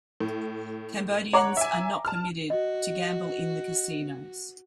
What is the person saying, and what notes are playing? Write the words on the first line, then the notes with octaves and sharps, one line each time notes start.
Cambodians are not permitted to gamble in the casinos.
A2
C#5 F#5 A#5 D6
E5 G#5
A5 F6
F#4 D#5